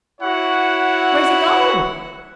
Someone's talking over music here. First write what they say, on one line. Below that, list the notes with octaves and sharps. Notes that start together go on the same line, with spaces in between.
Where's he gone?
E4 F#4 C#5 F#5